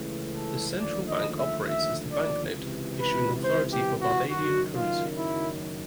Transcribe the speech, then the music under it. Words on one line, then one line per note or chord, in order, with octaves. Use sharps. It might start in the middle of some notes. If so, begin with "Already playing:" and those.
The Central Bank operates as the banknote issuing authority for Barbadian currency.
Already playing: C#2 C#3 E3 A3
A4
D#2 D3 F3 A3 D5
D#5
E5
E5
D5
C#2 C3 E3
B4
C5
G4
F#4
F#1 F#2 D#3 F#4
F4
E4